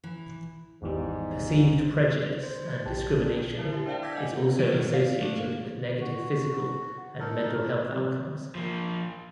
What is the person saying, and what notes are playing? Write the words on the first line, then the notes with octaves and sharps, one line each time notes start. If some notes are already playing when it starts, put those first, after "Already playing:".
Perceived prejudice and discrimination is also associated with negative physical and mental health outcomes.
E3
G#1 E2 G#2 G3
C5
A#1 G4 A5
D3 E4 A#4 C5
G4 E5
D4 C5 D5 F5 G5 A5
D6 E6 G6 G#6 A#6 B6
D5 D#5 F#5 G#5
E3 A3 B3
B2 D#3 E3 F#3 G3
D5 F5
G#2 A3 D4
A#3
F#4
D#4 A4 A#4
E6
C3
F3 A#3